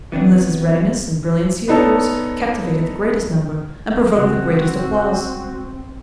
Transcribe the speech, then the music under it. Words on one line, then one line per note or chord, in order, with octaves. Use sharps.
Mliss's readiness and brilliancy, of course, captivated the greatest number and provoked the greatest applause.
E3 B3 C4 D4
B3 D4 D#4 A4 C#5 A5
C#3 G3 G#3 C4 F#4